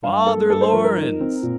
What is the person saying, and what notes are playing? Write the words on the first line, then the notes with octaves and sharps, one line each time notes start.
'Father Laurence!
G2 F5
A#3 A4
G2 A4
C5
F3 A#4
A#4
D#4
C4
A#2